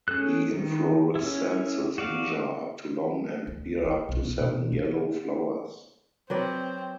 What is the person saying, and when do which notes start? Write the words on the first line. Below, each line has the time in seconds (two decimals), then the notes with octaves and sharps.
The inflorescences measure up to long and bear up to seven yellow flowers.
0.08 C#4 G#4 A4 F#6
0.53 D#3
1.15 C#4 E4
1.98 F#4 D5 F5
3.47 D2
3.85 D#3
4.09 B1
4.24 B3
4.39 B2
4.72 D3
6.30 F#3 C4 B4 D5